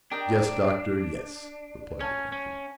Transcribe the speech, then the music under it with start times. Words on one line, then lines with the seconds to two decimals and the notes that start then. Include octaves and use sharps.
"Yes, Doctor, yes," replied the captain.
0.11 D4 G4 A#4 D#5 G5
2.00 C#4 C#5 F5 A5
2.32 C#4